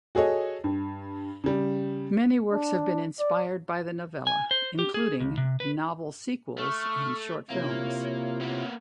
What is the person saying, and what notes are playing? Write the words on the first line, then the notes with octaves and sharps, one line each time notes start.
Many works have been inspired by the novella, including novel sequels and short films.
F#4 G#4 A4 C#5 D#5
G2
C#3 G3
D4
D5
G#5
C5
G4
G#4
C#2
C3
B4
A3 C#6 F6
C3 A#3 E4 F4 C#5
A#3 B3